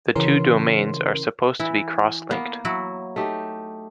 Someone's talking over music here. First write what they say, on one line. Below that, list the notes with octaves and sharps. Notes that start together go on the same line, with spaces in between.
The two domains are supposed to be cross-linked.
C#3 E3 C#4 A#4 C6
E3 E4
A#3 B3
F#3 E4 F#4
A3 D#4 G4